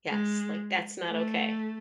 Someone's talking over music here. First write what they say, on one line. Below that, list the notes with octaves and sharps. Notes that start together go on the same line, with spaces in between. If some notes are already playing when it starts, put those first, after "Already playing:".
Yes, like, that's not okay.
G#3
A3